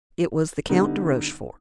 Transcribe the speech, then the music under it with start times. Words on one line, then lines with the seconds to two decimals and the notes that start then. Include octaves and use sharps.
It was the Count de Rochefort.
0.70 D3 G3 B3 D#4